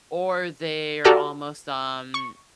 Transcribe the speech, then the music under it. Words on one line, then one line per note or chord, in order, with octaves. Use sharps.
or they are almost, um
F#4 G4 A4 D5 A#5 F6
C#6